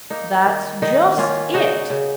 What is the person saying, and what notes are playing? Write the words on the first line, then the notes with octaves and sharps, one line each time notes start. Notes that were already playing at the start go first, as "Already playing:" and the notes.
'That's just it.
A#3 D#4
D#3
D#3 D#4
A#3 C#4 F4
C#3 D#4 F#4
C#3